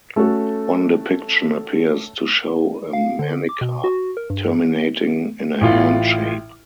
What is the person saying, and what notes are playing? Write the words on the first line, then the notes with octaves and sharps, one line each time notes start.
One depiction appears to show a manica terminating in a hand shape.
A3 C#4 F#4 A4
F5
D3
D6
B2
F#4
A#4
G2
A1 A2 F4